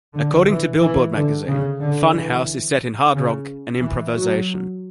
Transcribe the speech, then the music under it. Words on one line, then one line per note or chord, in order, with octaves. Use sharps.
According to "Billboard" magazine, "Fun House" is set in hard rock and improvisation.
D3
E3
E3
D3
C#3
D3
E3
C#3
E3
F#3